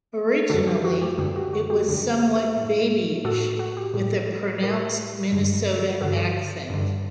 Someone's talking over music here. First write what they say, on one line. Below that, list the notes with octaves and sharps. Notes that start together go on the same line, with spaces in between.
Originally, it was somewhat babyish, with a pronounced Minnesota accent.
F#2 D3 F#4 A4
G4
F#4
G4
F#2 D3 G4
F#4
F#4
G4
F#2 D3
A2
A2 F#4 A4
F#4
G4
A2
A2 G4 A#4
G2 D3
G2 D3 F#4 A4
G2 D3